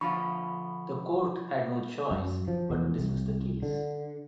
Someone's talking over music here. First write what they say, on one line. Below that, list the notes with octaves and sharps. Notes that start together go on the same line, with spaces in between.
The court had no choice but to dismiss the case.
D3 F3 F4 B5 C#6
F#2
F3
E2
C2
D3